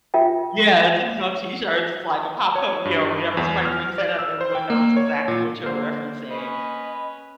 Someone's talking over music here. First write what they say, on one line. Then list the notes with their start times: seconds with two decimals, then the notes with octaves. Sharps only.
Yeah, it's in some T-shirts. It's like a pop cul you know, whenever somebody brings that up, everyone knows exactly what you're referencing.
0.14 F4 A#4 E5 G5
2.55 C#5
2.85 G2
3.37 E2
3.65 F6
3.98 D5
4.19 E6
4.41 C5
4.55 G5
4.70 A#3
4.97 C#5
5.28 A#2
5.63 D3 A#3 C5
6.31 C#4 B4 D#5 B5